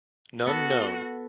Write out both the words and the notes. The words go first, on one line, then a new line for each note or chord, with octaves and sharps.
None known.
B3 F#4 A4